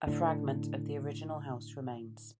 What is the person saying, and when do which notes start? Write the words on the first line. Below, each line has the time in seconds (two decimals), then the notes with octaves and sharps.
A fragment of the original house remains.
0.07 A2 D3